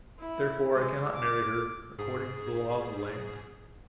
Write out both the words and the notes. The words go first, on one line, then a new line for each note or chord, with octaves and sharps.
Therefore I cannot marry her, according to the law of the land.
E4
G#3
D6
G#2 G#4